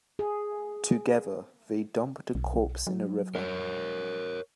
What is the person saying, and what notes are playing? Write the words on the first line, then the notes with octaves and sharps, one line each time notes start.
Together, they dump the corpse in a river.
G#4
B1
F#3
A#4 C#5